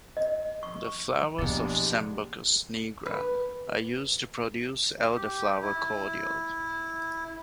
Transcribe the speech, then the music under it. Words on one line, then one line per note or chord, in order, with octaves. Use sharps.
The flowers of "Sambucus nigra" are used to produce elderflower cordial.
D#5
C#6
E2 B2 F3 G#3 A#3 D4 D#4 G4
B4
G4
E4